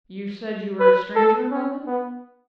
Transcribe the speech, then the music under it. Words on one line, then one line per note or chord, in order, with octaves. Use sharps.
'You said you were a stranger in London?'
B4
A4
C#4
B3